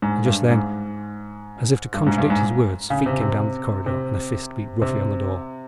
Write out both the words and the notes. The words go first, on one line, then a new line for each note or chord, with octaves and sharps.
And just then, as if to contradict his words, feet came down the corridor, and a fist beat roughly on the door.
G#2
G2
G#2
G2
G#2
G2
G#2
C#3
C3
C3
C3
C3